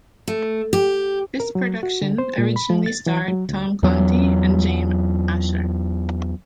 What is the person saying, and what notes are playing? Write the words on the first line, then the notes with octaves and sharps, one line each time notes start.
This production originally starred Tom Conti and Jane Asher.
A3
G4
A#4
F#3
F#4
D3
C5
A#2
B5
F3
A6
E3
F#3
D2
E2 F#3